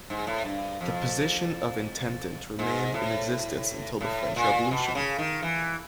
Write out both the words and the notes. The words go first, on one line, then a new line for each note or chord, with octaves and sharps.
The position of Intendant remained in existence until the French Revolution.
G#2
A2
G2
F2
G#2
A2
A2
A#2
B2
C#3
D#3
E3